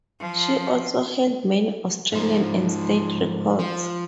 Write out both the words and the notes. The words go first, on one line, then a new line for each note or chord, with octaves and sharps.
She also held many Australian and State records.
F3
G#2 F3
F3